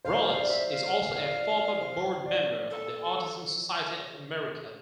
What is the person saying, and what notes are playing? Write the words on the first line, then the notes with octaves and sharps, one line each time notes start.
Rollens is also a former board member of the Autism Society of America.
C5 F5
F5
D5
C5 E5
F5
C5
D5
D5
D5
C5
D5
A4